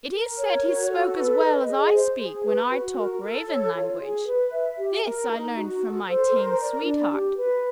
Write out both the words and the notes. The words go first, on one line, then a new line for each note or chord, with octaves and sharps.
It is said he spoke as well as I speak when I talk Raven language; this I learned from my tame sweetheart.
A#4
C#5
F#4
A4
B4
D#5
G#4
C5
G#4
B4
F#4
A#4
A4
C#5
F4
G#4
B4
E5
G4
A#4
D#4
F#4
A4
C5
A#4
D5
D4
G4
B4